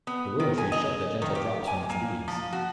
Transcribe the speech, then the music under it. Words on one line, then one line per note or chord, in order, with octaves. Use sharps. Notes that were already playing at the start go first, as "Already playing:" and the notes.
The willow-tree shook the gentle drops from its leaves.
B3
D#3
G#5
D#5
D#3
G4
G#5
A#3
F3
F#4